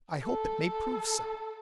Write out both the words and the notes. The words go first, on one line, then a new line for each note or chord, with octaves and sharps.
'I hope it may prove so.
A4
A4